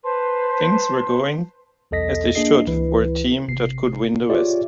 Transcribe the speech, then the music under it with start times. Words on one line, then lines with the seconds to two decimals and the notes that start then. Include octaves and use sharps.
Things were going as they should for a team that could win the west.
0.04 B4 C5 A5 C6
1.91 B1 E2 A4 D#5 A#6 B6
2.35 A#3 D4 G#4 D#5 C7
2.67 C#2 E3 E4 B4
3.48 G#1 C3 C7
4.30 F4 G4 G#4 C#5 D5 E5